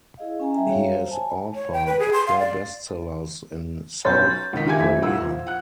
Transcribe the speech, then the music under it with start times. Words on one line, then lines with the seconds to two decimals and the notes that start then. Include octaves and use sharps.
He has authored four bestsellers in South Korea.
0.17 E4 G#4 D#5 F5
0.40 C#4 G#5 A#5
0.55 G3 G#4 E5 G5 A#5
0.70 F#4 C#5 F5
0.93 C5
1.11 G#5 A5
1.55 C#5
1.73 G5
1.87 B4
1.99 G#4
2.13 C6
2.27 F5
2.39 D5
4.05 B1 C#4 C6 G6 A6
4.53 C#2 D#3 D#4 B6
4.66 D#3 F4 G4 E5 G#5 G#6
4.79 D#1 A1 E5 B6
5.02 C2 A#2 F#5 E6
5.22 F3
5.47 F#5 F#6